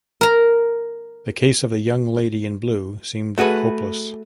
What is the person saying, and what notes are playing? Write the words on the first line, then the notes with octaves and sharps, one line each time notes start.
The case of the young lady in blue seemed hopeless.
A#4 A#5
A3 F#4 G#4 B4